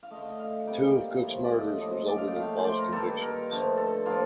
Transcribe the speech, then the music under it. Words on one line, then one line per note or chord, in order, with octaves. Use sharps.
Two of Cooke's murders resulted in false convictions.
F5
D3 A3 D#5
D#5
F5
C3 G3 A#3 G5
F5
A2 F3 A3
D5
D#5
A2 F3 A#3 D#5
D5
F5
G5
D3 A3 F5
C5
D5
A#4
G2 D#3 G3 A#3 A4
A#4
G2 D3 F3 A3
A4
A2 F3 A#3 F4